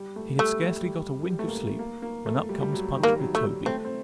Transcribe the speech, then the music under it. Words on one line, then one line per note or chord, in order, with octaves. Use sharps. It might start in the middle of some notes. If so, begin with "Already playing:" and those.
He had scarcely got a wink of sleep, when up comes Punch with Toby.
Already playing: G3
A3
G3 A3
G3
G3
G3
A3
A#3
A#3
A#3
A3
G3
G3
F#3
D#3
A#3
G3
F#3
A3
G3
A3 C4
C4